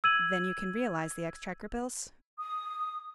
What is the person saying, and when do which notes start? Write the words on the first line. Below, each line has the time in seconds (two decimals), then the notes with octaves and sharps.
"Then you can realize the Exchequer bills?"
0.04 E6 G#6 D#7 F#7
2.39 D#6